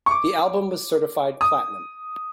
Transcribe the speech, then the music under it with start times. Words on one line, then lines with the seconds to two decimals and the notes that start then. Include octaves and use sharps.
The album was certified platinum.
0.06 C#6
0.11 D6
1.41 D#6